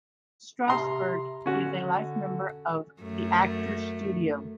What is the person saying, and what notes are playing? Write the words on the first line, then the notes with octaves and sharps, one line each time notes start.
Strasberg is a life member of The Actors Studio.
C3 A#5 C6
D3 C#4 F#4
F#2 A3